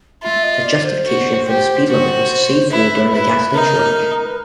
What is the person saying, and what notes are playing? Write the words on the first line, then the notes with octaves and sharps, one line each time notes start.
The justification for the speed limit was to save fuel during the gasoline shortage.
F4 E5
D#5
D5
C5
F#4
G4
F#4
E4 B4
E4 B4
D#4 A#4
B4